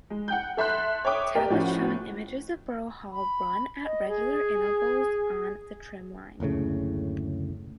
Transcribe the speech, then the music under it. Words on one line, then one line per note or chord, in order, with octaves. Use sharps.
Tablets showing images of Borough Hall run at regular intervals on the trim line.
G#3
F#5 G5 G6
A4 E5 C6 F#6
C#5 E5 G5 D6 D#6
G4 A#4 D5 D#5 G5
A2 F3 C#4 F#4
B5
D#5
G#4
F#1 D2 A2 C#3